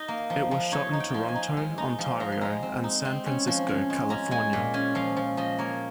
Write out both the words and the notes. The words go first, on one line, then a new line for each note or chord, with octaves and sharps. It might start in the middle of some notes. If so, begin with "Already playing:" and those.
It was shot in Toronto, Ontario, and San Francisco, California.
Already playing: D#4 D#5
A#3
F3
F3
D#4 C#5
D#4
G5
F3
G#5
D#4
G#3
D#4 A#5
F3 C6
F3 A#5
C6
G#3 A#5
C4
D#4
C4
C#4
F3
C#4
G#3
C#4 A#5
G#3 G#5
A#2
C#4 G#5
F3 F5
F3
F3 D#5
A#3 C#5